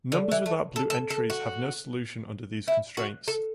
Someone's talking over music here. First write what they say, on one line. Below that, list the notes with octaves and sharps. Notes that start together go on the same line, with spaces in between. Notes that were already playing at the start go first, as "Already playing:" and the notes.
Numbers without blue entries have no solution under these constraints.
D3
E3
A3
A4
A4
A4
F#4
E4
F#4
A4